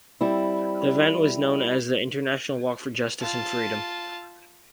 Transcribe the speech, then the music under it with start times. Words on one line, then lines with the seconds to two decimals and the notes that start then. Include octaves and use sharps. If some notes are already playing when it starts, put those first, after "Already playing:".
The event was known as the "International Walk for Justice and Freedom".
0.21 G3 C4 E4
3.21 F4 A5